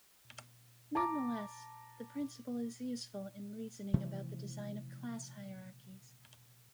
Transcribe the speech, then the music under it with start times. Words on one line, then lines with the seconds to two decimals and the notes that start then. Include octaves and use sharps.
Nonetheless, the principle is useful in reasoning about the design of class hierarchies.
0.95 A5 A#5 D6
3.94 C3 E3 F3 A3